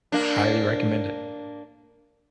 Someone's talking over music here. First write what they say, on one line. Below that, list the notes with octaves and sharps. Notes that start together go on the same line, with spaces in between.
highly recommend it,
A#3 D4